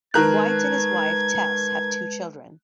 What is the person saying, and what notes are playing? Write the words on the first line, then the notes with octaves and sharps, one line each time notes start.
White and his wife, Tess, have two children.
D#3 G#3 A#4 B4 A5 F#6 G#6